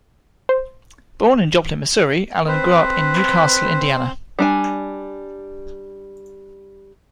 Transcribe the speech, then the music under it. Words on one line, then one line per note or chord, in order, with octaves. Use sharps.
Born in Joplin, Missouri, Allen grew up in New Castle, Indiana.
C5
C4 B4 C5
G3 D4 G#5